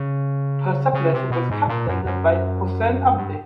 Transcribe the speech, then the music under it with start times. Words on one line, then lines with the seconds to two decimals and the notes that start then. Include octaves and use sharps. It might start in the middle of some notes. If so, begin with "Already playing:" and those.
Persepolis was captained by Hossein Abdi.
Already playing: C#3
0.93 C#3
1.13 C3
1.31 B2
1.50 G#2
1.68 A#2
1.87 F#2
2.05 F#2
3.17 G2